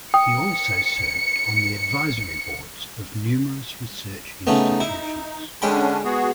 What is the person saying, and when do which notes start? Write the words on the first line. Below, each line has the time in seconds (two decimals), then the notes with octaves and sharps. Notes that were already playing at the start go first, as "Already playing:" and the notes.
He also served on the advisory boards of numerous research institutions.
0.14 G5 D#6 C#7
4.47 C#3 A3 B3 D#4
4.80 E4
5.62 D3 G#3 C#4 D4 G5 B5
6.05 B3 F#4 G#4